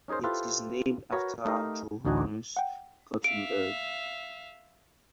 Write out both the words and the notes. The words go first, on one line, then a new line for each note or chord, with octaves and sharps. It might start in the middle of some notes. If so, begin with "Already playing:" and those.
It is named after Johannes Gutenberg.
C#4 D#4 G#4 A#4 C5
E4 F4 G4 A4 B4 C5
F#4 A#4 B4 C#5
A3 D#4 G4 A#4 F5
A1 D2 D4 D#4 F#4 G#5
F#5 G5
E5 F5 D7